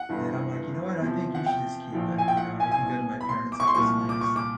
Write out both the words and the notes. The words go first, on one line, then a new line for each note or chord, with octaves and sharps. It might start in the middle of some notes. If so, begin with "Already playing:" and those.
And I'm, like, "You know what? I think you should just keep it." You know, I even go to my parents' house and they just
Already playing: F#5
G1 G2 E3
E2 C3 F3
F#5
G5
A#1 A2 F3
G#5
G5
F#5
G#5
G#5
C2 B2
B5
C6
D6
C#6
C6
C2 A#2 F3 C#6
D6
C#6
D6